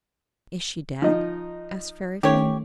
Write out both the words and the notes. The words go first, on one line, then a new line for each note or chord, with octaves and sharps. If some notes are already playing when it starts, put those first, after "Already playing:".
"Is she dead?" asked Fairyfoot.
F3 D#4
D#3 A3 C#4 G4 C#5